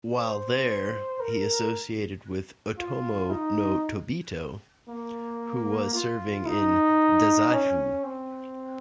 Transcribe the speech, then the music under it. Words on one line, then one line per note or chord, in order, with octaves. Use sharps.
While there, he associated with Otomo no Tabito, who was serving in Dazaifu.
C5
A#4
F4
D#4
A#3
F4
D#4
C#4
C4